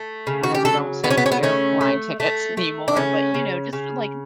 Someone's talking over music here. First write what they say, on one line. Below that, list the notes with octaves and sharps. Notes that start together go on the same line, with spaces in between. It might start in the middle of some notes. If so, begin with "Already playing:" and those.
I know they don't send you airline tickets anymore, but you know, just like
Already playing: A3
C#3
F#4
G4
F#3 A4
C#3 B3
C#4
B3
C#4
B3
A3 C#4
A3
A3
A3
D4
C#3 C#4
C#3
C#3